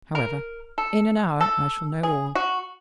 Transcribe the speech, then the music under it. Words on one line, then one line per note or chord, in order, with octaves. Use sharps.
However, in an hour I shall know all.
A#4
A4
A4
G#4
F#4